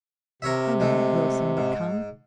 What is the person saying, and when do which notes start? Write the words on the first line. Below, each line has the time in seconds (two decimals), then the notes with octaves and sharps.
Oh, that Wilson would come!
0.42 C3 A#4 C#5 E5
0.80 G#3 A3
1.57 G#2